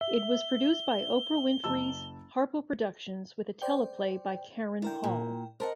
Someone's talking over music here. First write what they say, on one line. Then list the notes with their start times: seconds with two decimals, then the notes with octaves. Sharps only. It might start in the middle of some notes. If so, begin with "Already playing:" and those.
It was produced by Oprah Winfrey's Harpo Productions with a teleplay by Karen Hall.
0.01 E5 G7
1.64 F#1 A5 E6
3.62 C5 D5 G5
4.82 D3 E4 A#4 G5
5.04 A#2
5.60 A#4 C5 D#5 F#5 A5